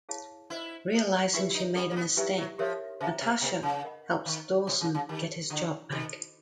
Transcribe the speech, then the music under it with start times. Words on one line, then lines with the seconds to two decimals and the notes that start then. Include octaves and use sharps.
Realizing she made a mistake, Natasha helps Dawson get his job back.
0.09 E4 G#4 C#5 F5 A5
0.50 E4 C5 D#5 F#5
0.92 A4 C5 D#5
1.34 E4 G4 B4 E5 G#5 C#6
1.50 E4
1.55 D#4
1.75 C#4 A4 D5 F#5 B5
1.91 A#3
1.96 B3
2.17 F#3 E4 G4 B4 E5 G#5
2.38 F#3
2.58 F3 G4 A#4 C#5 E5
3.00 C#3 C5 E5 G5 A#5
3.21 C3
3.42 C3 B4 D#5 G5
3.63 C#3
3.84 A#4 D#5 F#5 B5
4.25 D#3 C5 F5 A#5 C#6
4.67 C3 F#4 A4 C#5
4.81 C#3
4.95 C#3
5.09 D#3 D#4 G4 A#4
5.50 D3 E4 A4 D5 F#5 A#5
5.92 D#3 D#4 F#4 A4 C5 D#5